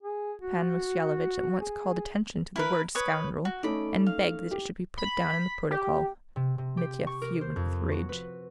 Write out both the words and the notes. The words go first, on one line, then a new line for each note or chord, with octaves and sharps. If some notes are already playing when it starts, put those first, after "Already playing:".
Pan Mussyalovitch at once called attention to the word "scoundrel" and begged that it should be put down in the protocol. Mitya fumed with rage.
G#4
F#4
G#4
E4 A#4 B4
B4 C#5 D#6
F#4
A3 C#4 D#4 D5 B5
F5
G4
B5
G4
C3
C3
G4
C#6
A#4
C5
F2
F#4
B4